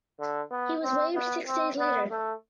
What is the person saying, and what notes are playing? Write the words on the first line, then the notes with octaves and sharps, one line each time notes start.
He was waived six days later.
D3
B3
C4
B3
C4
B3
A3